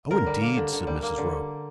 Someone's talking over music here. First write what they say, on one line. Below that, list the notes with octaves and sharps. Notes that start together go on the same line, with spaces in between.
"Oh, indeed!" said Mrs. Roper.
D3 A#4
G3
A#3
D3
D3
G3
A#3
D3